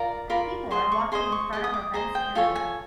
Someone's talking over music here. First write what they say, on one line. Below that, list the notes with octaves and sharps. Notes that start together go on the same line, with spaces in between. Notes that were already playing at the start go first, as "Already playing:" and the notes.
People are walking in front of a fenced area.
Already playing: F4 A#4 D5 A#5
F4 A#4 D5 B5
G#4 C5 D#5 C6
C#6
G#4 C5 D#5 C6
C#6
G#4 C5 D#5 D6
D#6
D6
G#4 C5 D#5 A#5
G5
F4 A4 C#5 G#5
G#5